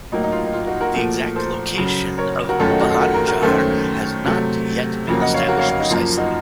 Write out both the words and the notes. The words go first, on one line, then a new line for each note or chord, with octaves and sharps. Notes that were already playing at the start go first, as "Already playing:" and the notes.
The exact location of Balanjar has not yet been established precisely.
A2 F#3 A#3 D#4
D#4
F4
D#4
F4
D#4 F#4
F#4 A#4
A#2 F3 A3
A4 C5
F#2 C#3 F#3
A#4 C#5
F#4 A#4
F#2 D#3 A3 C#4 F4 A4
D#4 F#4
D#4 F#4
F4 A4
F#4 A#4
F#4 A#4
F#4 A#4
F#2 D#3 A3 C#4 A4 C5
C3 F#3 A3
F2 C#3 F#3 A#3
D#5 F#5
C#5 F5
F#4 A#4
C#5 F5
C#5 F5
D#4 F#4
F#2 F3 A#3 F4
D#4 F#4